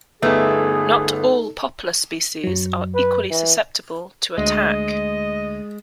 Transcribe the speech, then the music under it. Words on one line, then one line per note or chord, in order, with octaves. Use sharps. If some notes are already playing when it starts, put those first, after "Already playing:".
Not all poplar species are equally susceptible to attack.
G1 A3 B3 D#4 G#4 A4 E5
F#2 F#3
B4
E3
D2 G#3 D#5